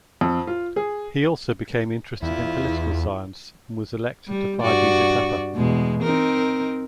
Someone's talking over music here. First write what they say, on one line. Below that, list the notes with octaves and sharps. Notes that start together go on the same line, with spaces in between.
He also became interested in political science, and was elected to Phi Beta Kappa.
F2
F4
G#4
E2 E4 F4
G3
G2 F#4 D5
E2 B2 G#3
C4 D#4 A#4